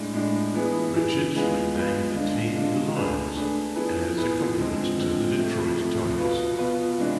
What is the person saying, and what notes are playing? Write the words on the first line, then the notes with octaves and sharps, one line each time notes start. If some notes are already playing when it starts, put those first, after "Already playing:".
Richards renamed the team the Lions, as a complement to the Detroit Tigers.
Already playing: A2 G#3 D4
A2 G#3 D4
E3 B3 E4 G#4
E3 B3 E4 G#4
G#3 B3 F4 G#4 B4
G#3 B3 F4 G#4 B4
D3 G#3 D4 F4
D3 G#3 D4 F4
A3 D4 G#4 B4
A3 D4 G#4 B4
F3 B3 E4 G#4 B4
F3 B3 E4 G#4 B4
D3 F3 G#3 C4
D3 F3 G#3 C4
C3 F3 A3
C3 F3 A3
B2 B3 F4 B4
B2 B3 F4 B4
C3 E3 G#3 D4